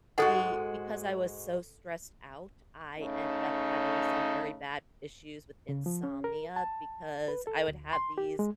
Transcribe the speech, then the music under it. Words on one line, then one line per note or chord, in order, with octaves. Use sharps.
the because I was so stressed out, I ended up having some very bad issues with insomnia, because I would have these
G#2 G#3 F#4 A4 D#5 F#5
C#3 A3 C#4 D#4
C#3
F3
C#4
A#4
A5
B4
A4
D2
C6
G4
G#3